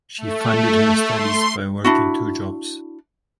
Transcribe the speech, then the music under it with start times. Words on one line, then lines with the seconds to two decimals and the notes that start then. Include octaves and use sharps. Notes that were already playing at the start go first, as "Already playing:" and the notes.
She funded her studies by working two jobs.
0.18 A3
1.10 C6
1.84 D4 E4 F#4